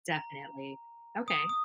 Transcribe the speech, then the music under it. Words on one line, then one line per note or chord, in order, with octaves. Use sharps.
definitely, okay.
A#5
D#6
D#6